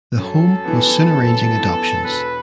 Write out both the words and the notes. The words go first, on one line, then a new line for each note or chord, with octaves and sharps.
The home was soon arranging adoptions.
F#2 A4
E3 B3
F#2
E3 B3
E1 B4